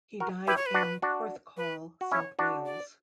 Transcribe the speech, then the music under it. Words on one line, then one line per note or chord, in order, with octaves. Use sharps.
He died in Porthcawl, south Wales.
F#4 A#4
E4 G4 B4
C#5
B4
D4 F#4
D4 F#4
B4
F#4
C#4 E4 C#5
D4 F#4
D5